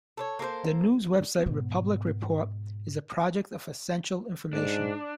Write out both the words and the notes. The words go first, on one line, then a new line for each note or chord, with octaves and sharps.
The news website Republic Report is a project of Essential Information.
A4 B4 C#5
A#3 A4 A#4 C5
G#2 B2
G#2 D4